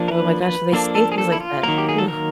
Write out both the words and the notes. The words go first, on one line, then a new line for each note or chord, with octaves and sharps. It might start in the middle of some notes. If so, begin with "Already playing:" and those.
Oh my gosh, when they say things like that, ooh.
Already playing: F3 A#3 D4
A#4
B4
B4
F3 A#3 D4 A4
A4
G#4
A4
E4
F4
D#3 F#3 A#3 A#4
G4
G#4
A4
A#4